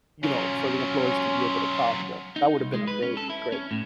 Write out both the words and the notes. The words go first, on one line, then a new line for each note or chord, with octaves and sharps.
you know, for the employees to be able to talk, but that would have been a great, great
F#3 C#4 F4
D#4
C2
G#3
B4
C#4
A4
E4
C#4
A2